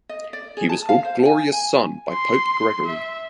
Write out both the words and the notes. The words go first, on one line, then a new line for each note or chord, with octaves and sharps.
He was called "glorious son" by Pope Gregory.
D#5
D5
G#4
A5
F5
C5
G#5
G#5
C6
E5